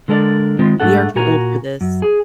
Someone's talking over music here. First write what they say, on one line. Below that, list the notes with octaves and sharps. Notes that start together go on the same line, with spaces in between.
We are too old for this
D3 G#3 A4 A#4 D5
D#3 G#3 C4 F4
G#2 A3 D4 A4 F#5
A#2 F#4 A#4 G#5 A#5
F#2
G#4